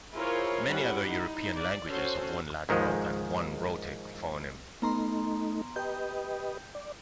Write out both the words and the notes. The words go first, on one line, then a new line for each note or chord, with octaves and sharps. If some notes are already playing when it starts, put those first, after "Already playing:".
Many other European languages have one lateral and one rhotic phoneme.
E4 F4 G#4 A#4 C5 C#5
G3 C#4 E4 F#5
D#4 E4
D5
C#4 F#4 A4 C5
G#2 D#3 F3 G#3
A3 B3 D#4 A#5 C6
G4 B4 D#5 G5 G6
D5